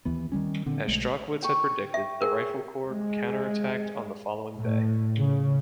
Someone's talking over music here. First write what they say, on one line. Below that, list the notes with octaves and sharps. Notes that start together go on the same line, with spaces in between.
As Strachwitz had predicted, the Rifle Corps counterattacked on the following day.
D#2 E3 B3
D#3 E3 G3 C#4
A#2 D3 C4
B1 G#3 A3
G5 C#6
E5
G#4 A#4
G#3
A2
C#3